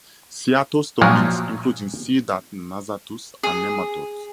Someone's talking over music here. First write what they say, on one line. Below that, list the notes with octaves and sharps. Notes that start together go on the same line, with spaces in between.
Cyathostomins, including "C. nassatus," are nematodes.
A#2 F3 F#3
G#4